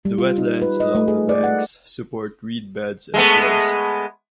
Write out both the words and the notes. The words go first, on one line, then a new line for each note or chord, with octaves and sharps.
The wetlands along the banks support reed beds and shrubs.
G3
F4
D#4
B4
D#5
A3
G#4
D5
F#5
G#3 A3 B3